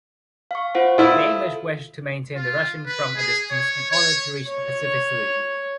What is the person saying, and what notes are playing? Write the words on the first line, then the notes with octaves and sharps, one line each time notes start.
The English wish to maintain the Russian from a distance in order to reach a pacific solution.
F5 C#6
F4 C5 F#5
E4 F4 A4
F4
B4
G#4
C#5
C#5
C#5